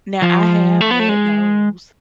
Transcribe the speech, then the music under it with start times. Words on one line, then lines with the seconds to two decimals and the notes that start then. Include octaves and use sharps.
Now I have had those.
0.22 F3
0.81 A3
0.91 B3
1.00 A3
1.09 G#3